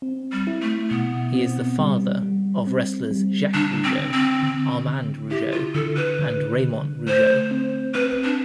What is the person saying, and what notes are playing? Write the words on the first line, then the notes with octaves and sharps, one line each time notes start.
He is the father of wrestlers Jacques Rougeau, Armand Rougeau and Raymond Rougeau.
C4
G3
E4
A3
B2 B3
C4
G3
G3
C4
G3
D3 D4
C4
D3
C4
D3
D3
E4 G4
F4
D3 A4
B4
D3
D3
A3 C5
C4
C4 B4
D4